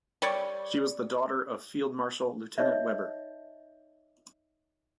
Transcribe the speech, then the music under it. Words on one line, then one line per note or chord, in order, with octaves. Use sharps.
She was the daughter of Field Marshal Lieutenant Weber.
G3 C#5 D5
D#4 C#5 D#5 E5